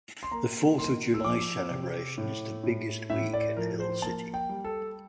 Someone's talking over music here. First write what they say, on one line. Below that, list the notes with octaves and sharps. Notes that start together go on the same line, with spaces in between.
The Fourth of July celebration is the biggest week in Hill City.
C6
A#3 A#5
A#3 C6
E6
F3 D6
C3
A2
A2
A2 E5
D5
F3 A#4
C5
A#3 A5
G5
G3
A4